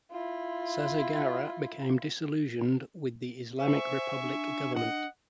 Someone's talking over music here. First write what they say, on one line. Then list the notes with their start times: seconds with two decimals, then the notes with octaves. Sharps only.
Sazegara became disillusioned with the Islamic Republic government.
0.11 E4 F4
3.59 C5 E5 G#5 C#6
4.22 D4
4.75 D#5 F#5